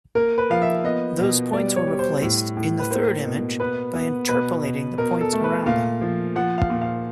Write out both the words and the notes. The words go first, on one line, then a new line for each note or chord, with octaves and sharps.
Those points were replaced, in the third image, by interpolating the points around them.
A#3 A#4
B4
F3 F5
E5
B3 D#5
B2
G3 D5
C#5
G3
C5
A2
A2
B4
A#3 C5
B2
B3 B4
B3
B2 B4
B2
B2 A#4
A4
A3
B4
A#2 F5
F3
F3 F#5
F5
A#2
F5